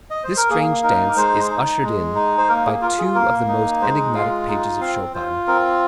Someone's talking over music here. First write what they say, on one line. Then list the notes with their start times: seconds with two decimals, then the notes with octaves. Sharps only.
This strange dance is ushered in by two of the most enigmatic pages of Chopin.
0.11 D#5
0.24 C5
0.37 A#4
0.50 A#3 G#4
0.83 D#4 A#4
1.09 A#4
1.16 G#3 C5
1.50 D#4
1.83 G#3
2.15 D#4
2.38 C5
2.49 A#3 A#4
2.66 G#4
2.81 F4 A#4
2.98 G#4
3.15 A#3 A#4
3.48 D#4
3.81 G#3 C5
4.15 F4 F5
4.48 D#4
4.80 C4 F5
5.14 F4 C5
5.47 C4 A#4